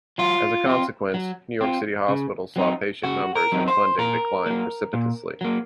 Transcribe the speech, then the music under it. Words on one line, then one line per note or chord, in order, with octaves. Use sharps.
As a consequence, New York City hospitals saw patient numbers and funding decline precipitously.
F#3 F4
C4 F4
F#3
C4 F4
C#3
F#3 C4 D#4
C#3 F#4
A#4
F#3 C4 D#4
C5
A#2 A#4
F#3 A#3
A#2
F#3 A#3